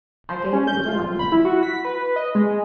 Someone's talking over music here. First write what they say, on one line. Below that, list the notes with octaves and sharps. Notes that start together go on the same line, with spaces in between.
I gave a little onion.
C5
C#4
G6
F4
B5
E4
F#4
B6
B4
D#5
G#3